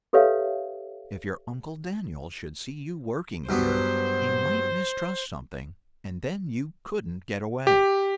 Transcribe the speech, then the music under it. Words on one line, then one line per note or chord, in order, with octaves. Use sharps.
"If your uncle Daniel should see you working here, he might mistrust something, and then you couldn't get away."
G4 A4 B4 C#5 E5 F5
G2 F#3 B3 C5
G4